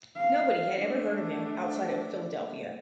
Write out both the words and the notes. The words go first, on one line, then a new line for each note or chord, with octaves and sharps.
Nobody had ever heard of him outside of Philadelphia.
F5
A3 D4